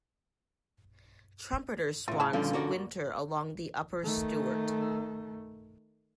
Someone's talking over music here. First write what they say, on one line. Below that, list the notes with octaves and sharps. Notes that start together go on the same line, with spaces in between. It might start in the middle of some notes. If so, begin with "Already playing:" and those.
Trumpeter swans winter along the upper Stuart.
A2 C#3 F4
E4 G#4 A5
A#2 D3 F3 G3 C#4 F4
A#3 F#4 D5
D#3 A3